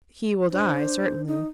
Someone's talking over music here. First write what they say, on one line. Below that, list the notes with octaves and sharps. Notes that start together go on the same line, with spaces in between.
"He will die, certainly."
D4 C5
D#4